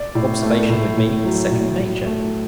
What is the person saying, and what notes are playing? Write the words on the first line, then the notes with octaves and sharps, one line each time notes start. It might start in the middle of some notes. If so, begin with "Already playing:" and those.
Observation with me is second nature.
Already playing: D5
A2
A3
A2
A2
F#3
A2
A2
A3